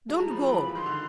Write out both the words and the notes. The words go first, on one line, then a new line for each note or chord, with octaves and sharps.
Don't go!
G#3 A5
G3 A#5
F3 B5
E3
D#3 C6
D3